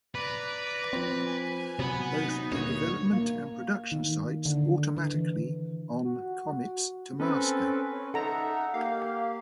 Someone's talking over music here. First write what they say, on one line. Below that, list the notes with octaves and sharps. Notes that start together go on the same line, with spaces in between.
Both the development and production sites automatically on commits to master.
B4 D5 A#5
F3 C4
G#5
C3 F#3 B3 B4
D#4
D2 G2 A#2 C#5
A#3
D#3
D3
E3
F#4
C4 C#4 A4 B4
C#4
D#4 A4 E5 F#5 A#5
A#3 G4 F5